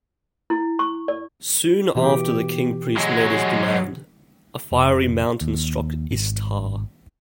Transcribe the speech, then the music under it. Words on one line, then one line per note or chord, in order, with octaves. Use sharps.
Soon after the Kingpriest made his demand, a "fiery mountain" struck Istar.
E4
C#6
D5
B2 E3 G4
F#3 G#3
F1
D#2
G#1